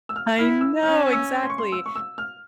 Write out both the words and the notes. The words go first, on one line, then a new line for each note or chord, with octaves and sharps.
I know, exactly.
E6
F6
E4 F6
E6
C#4 F6
E6
C6
C#6
C6
E6
C#6
E6
F6